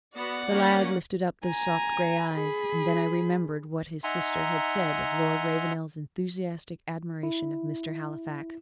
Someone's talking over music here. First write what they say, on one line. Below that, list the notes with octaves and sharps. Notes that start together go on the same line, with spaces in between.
The lad lifted up those soft grey eyes, and then I remembered what his sister had said of Lord Ravenel's enthusiastic admiration of Mr. Halifax.
B3 F#4 D5 F#5
A#3 C#4
G#5 A#5
G#4 B5
D#4 E5 F#5 G#5 A#5 C6
E4